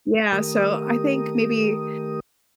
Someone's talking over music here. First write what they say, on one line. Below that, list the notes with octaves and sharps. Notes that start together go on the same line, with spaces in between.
yeah, so I think maybe
D#3 A3 G4 A#4 D#6